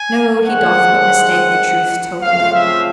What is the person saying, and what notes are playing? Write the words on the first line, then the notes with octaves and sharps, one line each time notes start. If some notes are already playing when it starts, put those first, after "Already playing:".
No; he doth but mistake the truth totally.
Already playing: G#5
G2 D#3 G#3 C4 F#5
C#3 F3 A3 C4 F5
E5